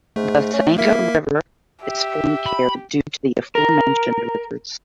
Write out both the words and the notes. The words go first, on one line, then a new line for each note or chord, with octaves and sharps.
The Sangha River is formed here due to the aforementioned rivers.
G#2 A3
C#4
A#3 E4 A#4 B6
G4 E5
B5
A#4